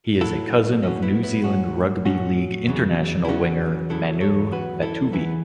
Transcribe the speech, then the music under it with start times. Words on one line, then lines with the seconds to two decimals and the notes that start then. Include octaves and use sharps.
He is a cousin of New Zealand rugby league international winger Manu Vatuvei.
0.21 A2 F#3 E4 A4
0.82 A2 F#3 C#4 F#4
1.02 B3 E4
1.23 B3 E4
1.43 A2 F#3 C#4 F#4
2.05 A2 F#3 C#4 F#4
2.67 E2 C#3 F#3
3.25 E4
3.28 E2 C#3 F#3 C#4 F#4
3.90 E2 C#3 F#3 E4 A4
4.21 A4 C#5
4.51 E2 C#3 F#3 F#4 B4
4.82 E4 A4
5.12 E2 E3 B3 E4